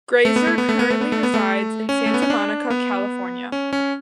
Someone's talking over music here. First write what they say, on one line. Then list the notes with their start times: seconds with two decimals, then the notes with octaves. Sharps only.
Grazer currently resides in Santa Monica, California.
0.25 A3
0.36 B3
0.47 A3
0.58 B3
0.69 A3
0.79 B3
0.90 A3
1.01 B3
1.12 A3
1.23 B3
1.34 A3
1.89 C#4
2.06 A3
2.14 B3
2.22 C#4
2.30 D4
2.70 B3
3.52 C#4
3.73 C#4